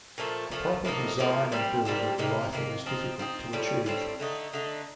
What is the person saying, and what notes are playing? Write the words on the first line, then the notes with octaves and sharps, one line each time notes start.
A proper design and build of the rifle is difficult to achieve.
A#2 F3 A3
A#2 F3 A3
A2 F3 A#3 D#4
A2 F3 A#3 D#4
A#2 G3 C4 G4
A#2 G3 C4 G4
C3 D#3 A#3
C3 D#3 A#3
F3 C4 D#4
F3 C4 D#4
A2 G3 C4
A2 G3 C4
D3 A3 D#4
D3 A3 D#4